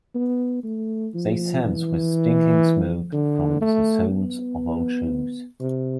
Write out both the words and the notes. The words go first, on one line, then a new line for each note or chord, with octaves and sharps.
They cense with stinking smoke from the soles of old shoes.
B3
A3
F3
E3
D3
A3
B3
C3